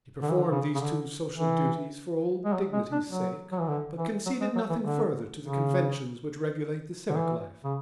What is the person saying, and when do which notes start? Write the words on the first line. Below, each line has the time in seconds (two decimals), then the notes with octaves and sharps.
He performed these two social duties for old dignity's sake but conceded nothing further to the conventions which regulate the civic life.
0.22 D3
0.30 E3
0.38 D3
0.51 C#3
0.75 C#3
0.80 D3
1.38 E3
2.45 G#3
2.53 F#3
2.73 G#3
2.92 D4
3.11 F#3
3.52 F#3
3.60 E3
3.69 D3
3.98 E3
4.26 F#3
4.41 G#3
4.56 F#3
4.70 E3
4.84 D3
5.42 C#3
7.10 D3
7.16 E3
7.65 C#3